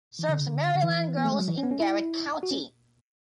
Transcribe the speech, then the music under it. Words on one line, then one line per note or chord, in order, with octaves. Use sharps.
Serves Maryland girls in Garrett County.
E3
D3
C#3
D3
D3
E3
B3
A3
G#3
F#3
E3
C#4
B3
C#4
E4
F#4
C#4